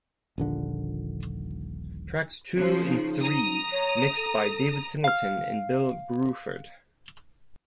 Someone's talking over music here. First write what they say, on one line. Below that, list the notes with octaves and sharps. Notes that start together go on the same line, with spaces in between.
Tracks two and three mixed by David Singleton and Bill Bruford.
D#1 A#1 D3
C#3 F3
D#4
A#5 D#6
C#5
A4
F5 F6